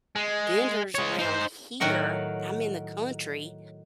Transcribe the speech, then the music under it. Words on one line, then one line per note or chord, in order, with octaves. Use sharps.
vendors around here. I'm in the country,
G#3
G#3 C#5
D#4 C5
A2 D#3 F#3 F#4 A#4 F#5